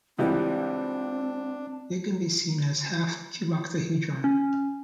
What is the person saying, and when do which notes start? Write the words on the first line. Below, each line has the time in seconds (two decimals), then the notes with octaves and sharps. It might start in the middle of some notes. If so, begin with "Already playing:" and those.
It can be seen as half a cuboctahedron.
0.19 C#2 E3 G3 C4 D4
4.24 C#4